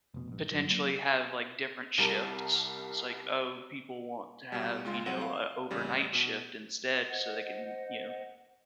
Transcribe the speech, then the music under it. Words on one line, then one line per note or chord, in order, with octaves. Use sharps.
potentially have, like, different shifts. It's like, oh, people want to have, you know, a overnight shift instead so they can, you know,
F1 B2
A#1 G2
G1 C#2 F#3
F#3 A#3
C2 G3 A#4 A5
B2 G3
C#2 G#3 F4 C6
C2 F#3 C4 F#5 D#7
F5
A1 C#3 G3
B2
C5 D#5 F#5